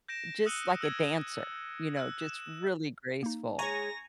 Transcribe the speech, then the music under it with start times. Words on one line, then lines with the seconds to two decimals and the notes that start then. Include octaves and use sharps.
just like a dancer. You know? Just really graceful.
0.08 G6 A#6 D7 E7
0.46 D#6 E6 F#6 C#7 D#7 G7
0.81 E6 G#6
1.97 E6 F#6
2.20 E7
3.23 A#3 D#4
3.59 G#3 C#5 G#5 A#5 C#6 A#6